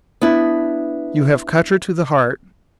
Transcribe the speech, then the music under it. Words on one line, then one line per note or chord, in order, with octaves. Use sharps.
"You have cut her to the heart."
B3 D4 E4